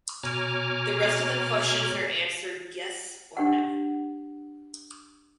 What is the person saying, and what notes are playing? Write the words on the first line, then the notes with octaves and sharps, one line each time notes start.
The rest of the questions are answered "yes" or "no".
B2 C#5 G#5 A#5 D6 F6
D4 G4 F#5